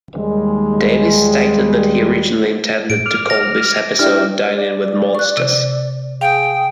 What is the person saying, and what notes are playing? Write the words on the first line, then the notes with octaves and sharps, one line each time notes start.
Davies stated that he originally intended to call this episode "Dining with Monsters".
D#2 G3 G#3
A2 D7
D6 F6
A#6
D4 E4 G4 F6
D5
C#6 F#6
C3
G#4 F5 G5 G6